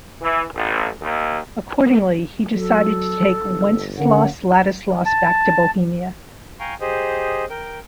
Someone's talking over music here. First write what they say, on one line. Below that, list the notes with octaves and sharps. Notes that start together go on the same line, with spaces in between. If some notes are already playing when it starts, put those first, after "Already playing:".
Accordingly, he decided to take Wenceslaus-Ladislaus back to Bohemia.
E3
A1
D#2
F#3 A4
G1
D3 A#3 C#4 F#5
A5
F5 G5 G#5 A#5 C#6
G4 G#4 C5 D#5
A#4 G5